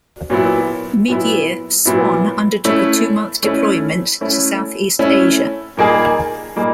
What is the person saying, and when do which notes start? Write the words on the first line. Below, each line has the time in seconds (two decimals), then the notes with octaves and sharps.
Mid-year, "Swan" undertook a two-month deployment to South East Asia.
0.30 A#2 F#3 B3 E4
1.08 A#2 F#3 B3 E4
1.86 A#2 F#3 B3 E4
2.65 A3 C#4 E4
3.43 A3 C#4 E4
4.21 A3 C#4 E4
4.99 A3 C#4 E4
5.77 A#2 G3 A#3 D#4 G#4
6.56 A#2 G3 A#3 D#4 G#4